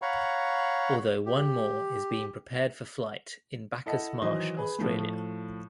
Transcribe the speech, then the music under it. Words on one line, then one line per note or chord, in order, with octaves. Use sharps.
Although one more is being prepared for flight in Bacchus Marsh Australia.
C#5 F5 F#5 A#5 B5 C#6
G4
E4 A4 D#5 F#5
D#3 E3 F#3 C5 D#5
G#4 B4
A2 F3 A3